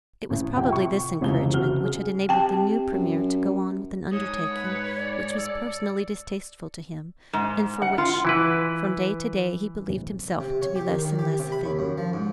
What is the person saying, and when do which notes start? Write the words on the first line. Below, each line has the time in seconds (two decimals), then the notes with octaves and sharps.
It was probably this encouragement which had enabled the new Premier to go on with an undertaking which was personally distasteful to him, and for which from day to day he believed himself to be less and less fit.
0.30 A1
0.56 F2 C3 G5
0.73 C#6
1.21 F1 C#2 E3 F5 G7
1.52 F#1 F#4 F6 G7
1.84 G#4
2.29 C3 G5 A5
2.92 F#2
4.13 G#2 C#5 D#6
4.54 B4
4.98 D5
5.38 A4
7.33 G#2
7.82 F#5
7.98 F4
8.25 E3 E4 B4
10.40 C3
10.62 C#5
10.76 G4
10.88 D#3
11.05 D#3
11.19 G4
11.40 C3
11.52 B5
11.65 D#2
11.79 F#2
11.98 F3
12.13 G#2